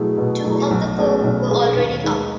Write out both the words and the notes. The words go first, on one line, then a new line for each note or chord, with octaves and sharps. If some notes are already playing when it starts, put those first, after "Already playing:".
Two of the Folk were already up.
Already playing: B2 F#3 A3 E4 G#4
B2
F#3 A3 E4 G#4
B1
B2 A3 C#4 G#4
B1
B2 A3 C#4 G#4
D#2
D#3 G#3 D#4 G#4